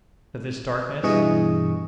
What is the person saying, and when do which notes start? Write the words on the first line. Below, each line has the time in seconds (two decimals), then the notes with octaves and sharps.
"But this darkness?"
1.04 G2 B2 E3 G#4 D#5 C#6